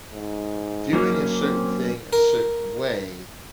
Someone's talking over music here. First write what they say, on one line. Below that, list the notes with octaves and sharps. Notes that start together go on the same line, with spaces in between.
doing a certain thing a certain way
G#2
F#3 A#3 C#4
C4
A#4